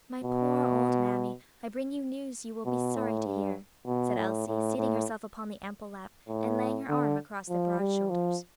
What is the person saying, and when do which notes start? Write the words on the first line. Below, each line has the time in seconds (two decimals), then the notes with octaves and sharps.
"My poor old mammy, I bring you news you will be sorry to hear," said Elsie, seating herself upon the ample lap, and laying her arm across the broad shoulders.
0.24 B2
2.66 B2
2.96 A2
3.26 G2
3.87 B2
4.17 A2
4.47 A2
4.77 A2
6.28 A2
6.89 D3
7.49 F3
7.79 G3
8.09 F3